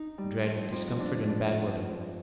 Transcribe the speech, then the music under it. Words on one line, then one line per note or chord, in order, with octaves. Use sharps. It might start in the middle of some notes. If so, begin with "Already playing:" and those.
I dread discomfort and bad weather.
Already playing: D#4
G3
F2
F2
D4
D4